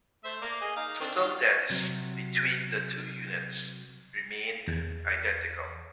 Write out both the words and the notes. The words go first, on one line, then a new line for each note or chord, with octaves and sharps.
Total deaths between the two units remained identical.
A3 C5 E5
A#3 D5
G#4 D#5
D#4 F5
C4 D4
D#3 G3 F4
C3 F#3
E2